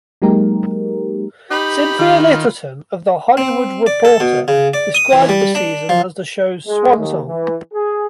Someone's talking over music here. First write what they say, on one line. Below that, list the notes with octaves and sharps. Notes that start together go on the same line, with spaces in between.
Cynthia Littleton of "The Hollywood Reporter" described the season as the show's "swan song".
F#3 G#3 A#3 D#4 G4 A#4
D#4 G4 B5
D#3 F4
C4
D5
A4
B2
C#3
D5
D#6
E3
G3
D4
F3
G#3
D#2
E3
G#4